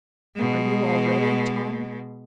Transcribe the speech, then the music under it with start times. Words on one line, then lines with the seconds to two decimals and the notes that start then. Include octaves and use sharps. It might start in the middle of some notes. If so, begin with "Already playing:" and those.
"Are you all ready, Tom?"
0.35 B2 G#3